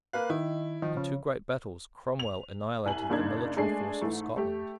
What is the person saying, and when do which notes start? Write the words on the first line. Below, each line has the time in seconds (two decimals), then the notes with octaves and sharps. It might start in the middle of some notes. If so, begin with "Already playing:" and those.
In two great battles Cromwell annihilated the military force of Scotland.
0.13 A#3 B4 F5 F#6
0.30 D#3 E4
0.82 D#3 F3
0.97 C#3
2.19 F7
2.85 C2 G#5 F#7
3.10 F#1 C#3 D4 D#4 G#6
3.57 G#3 A3 D4 G#5 C7
4.01 G#2 E3 A3
4.36 A3 G4